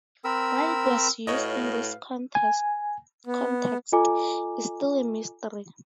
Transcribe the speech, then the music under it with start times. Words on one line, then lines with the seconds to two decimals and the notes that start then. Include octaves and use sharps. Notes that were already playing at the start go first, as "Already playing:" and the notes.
Why it was used in this context is still a mystery.
0.24 C4 A#4 B5 E6
1.27 A2 F#4 B4 C#5 D#5 F5
2.35 G#5
3.27 B3
3.92 F4 A4 D#5 G#5 A#5 D6